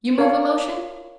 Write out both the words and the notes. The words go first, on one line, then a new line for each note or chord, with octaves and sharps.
You move a motion?
A#4 C#5 F5 A5